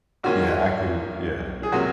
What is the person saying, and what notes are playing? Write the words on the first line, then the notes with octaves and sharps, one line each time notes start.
Yeah, I could yeah, yeah.
G#2 D#3 A#3 C#4 F4 F#4
G#4
C3 F#3 A#3 C#4 F4 F#4